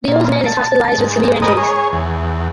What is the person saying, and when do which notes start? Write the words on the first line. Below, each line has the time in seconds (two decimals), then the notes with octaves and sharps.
The old man is hospitalized with severe injuries.
0.08 A#2
0.46 A5
0.98 G#2
1.42 G#2 A#4 B4 D#5 D#6
1.58 G#4 C#5
1.93 E2